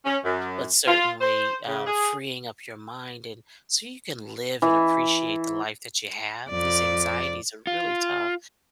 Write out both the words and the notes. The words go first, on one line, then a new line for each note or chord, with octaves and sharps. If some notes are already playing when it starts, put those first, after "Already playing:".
But certainly, um, freeing up your mind, and so you can live and appreciate the life that you have. These anxieties are really tough.
C#4
F#2
F4
C5
C#3
G#4
E3
F2 D5
F4